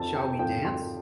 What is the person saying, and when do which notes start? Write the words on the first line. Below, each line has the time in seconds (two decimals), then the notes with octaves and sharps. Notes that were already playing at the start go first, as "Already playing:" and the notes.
Shall We Dance?
Already playing: F2 F3 C4 A5
0.15 G5
0.39 F2 F3 C4 G5
0.65 C6